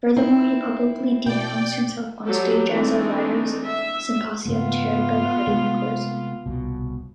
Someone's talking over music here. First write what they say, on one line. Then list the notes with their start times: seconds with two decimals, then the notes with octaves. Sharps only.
Furthermore, he publicly denounced himself onstage at a writer's symposium chaired by party members.
0.17 C4 D#4 E4
1.26 B2 D5 G5
2.25 F#3 G3 A3 G4 A4
2.71 E3 G#3 A3 C4 D4 D#4
3.63 E5
4.46 G#2 C#3 A3 B3 F4
5.47 C3 G#3 A3
6.46 D#1 C2 B2